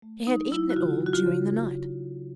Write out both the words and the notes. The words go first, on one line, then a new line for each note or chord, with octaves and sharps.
He had eaten it all during the night.
A3
F#3 D#4
F#3 E4
F#4
C#3 F4
F#3
F#4
F4
C#3